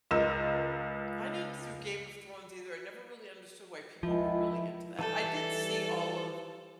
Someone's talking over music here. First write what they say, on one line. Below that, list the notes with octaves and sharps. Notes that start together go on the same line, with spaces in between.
I didn't see Game of Thrones either I never really understood why people were really into that I did see all of
C#2 A#4 D#5 E6 E7
C#2 F3 E4
E3 G3 G4 A4 A5 G6